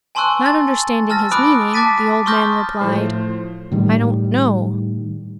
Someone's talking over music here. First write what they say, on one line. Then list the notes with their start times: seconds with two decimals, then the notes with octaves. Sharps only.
Not understanding his meaning, the old man replied, "I don't know."
0.15 G#5 A5 C6 C#6 E6 F#6
0.46 A6
1.10 A5 E6 F6 A6 A#6
1.32 B5 D6 D#6 F6 F#6 D7
1.74 A5 D6 F#6 A6 B6 D#7
2.26 C6 C#6 D#6 F6 G6 A#6
2.81 A2 F3 C5
3.72 A2 D#3 G3